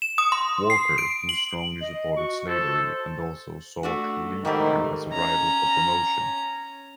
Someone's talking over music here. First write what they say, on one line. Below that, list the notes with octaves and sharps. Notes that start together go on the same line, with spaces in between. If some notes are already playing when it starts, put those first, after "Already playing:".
Walker, who strongly supported slavery and also saw Cleburne as a rival for promotion.
E7
D#6
C6
C7
D7
F#7
D#5
F#4 C#6
A4 C5
A3 D4 F#4
G#2 D#3 G3 A3
C#4 A#5